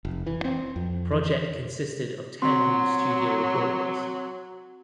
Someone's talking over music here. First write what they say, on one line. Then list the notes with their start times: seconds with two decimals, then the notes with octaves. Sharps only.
The project consisted of ten new studio recordings.
0.05 F1
0.27 E3
0.45 C4
0.76 F2
1.11 E3
2.42 F#3 C4 C6